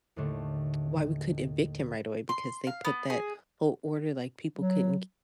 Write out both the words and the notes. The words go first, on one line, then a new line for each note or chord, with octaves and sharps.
why we couldn't evict him right away because they put that whole order like people couldn't k
D#2 A2 D3 A3
C6
F5
B3
G#4
F#3